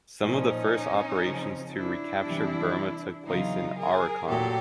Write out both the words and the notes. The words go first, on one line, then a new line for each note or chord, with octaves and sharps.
Some of the first operations to recapture Burma took place in Arakan.
A#2 F3 C#4 D#4
F2 C#3 F3
D4 E4
E2 C3 E3 G3
E2 C#3 F#3 D#4 F4
G#4 A#4
A#2 F#3 G4 A4